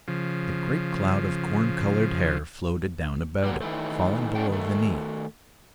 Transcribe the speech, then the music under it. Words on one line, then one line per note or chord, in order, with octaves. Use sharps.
The great cloud of corn-colored hair floated down about it, falling below the knees.
C#3 F3
A#2 F#3 G3
D#3 E3 A3
C#4 D4 F#4 G5
D#3 A3